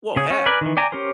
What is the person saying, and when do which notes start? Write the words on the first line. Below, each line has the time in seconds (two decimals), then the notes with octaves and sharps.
Well, heck.
0.16 C#3 G#4
0.31 C#4
0.46 A#4 B4 D5 G#5
0.61 D#3 E3
0.77 D5 G5 G#5 A#5
0.92 C#4 G4 A#4 C5